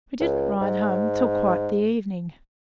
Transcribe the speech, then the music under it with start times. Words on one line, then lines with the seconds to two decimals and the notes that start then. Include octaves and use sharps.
We didn't ride home till quite the evening.
0.20 C#2
0.61 G#2